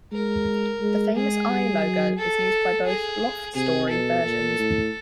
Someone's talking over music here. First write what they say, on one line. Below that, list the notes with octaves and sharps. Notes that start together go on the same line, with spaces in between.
The famous eye logo is used by both "Loft Story" versions.
G#3 A#4
G#3
G#3 G#4
G3
F#3
A4
G#4
C3 G#4
B2 A4
A#2
A2